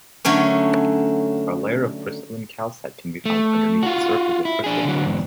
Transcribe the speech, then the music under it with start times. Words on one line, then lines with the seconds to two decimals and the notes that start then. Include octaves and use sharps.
A layer of crystalline calcite can be found underneath the surface of crystal points.
0.25 D3 F#3 A3 C#4
3.26 A3
3.83 F4 F#4
4.45 E4
4.64 D4 G#4
4.85 D3 F#3
5.04 E2 G#2